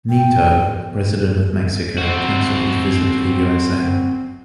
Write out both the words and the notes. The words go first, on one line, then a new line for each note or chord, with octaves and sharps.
Nieto, the president of Mexico, cancelled his visit to the USA.
G5
C4 F#4